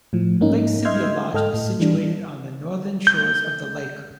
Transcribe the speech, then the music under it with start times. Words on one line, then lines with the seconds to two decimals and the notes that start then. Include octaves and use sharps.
Lake Sibaya Lodge is situated on the northern shores of the lake.
0.13 A2 F3
0.41 G#2 A#3 C#4 D#4
0.85 D#5 E5 C6 F6 G6 G#6
1.34 G#2 A4 D#5 G5 F6
1.54 A2
1.80 E3 G3 D4
3.07 G6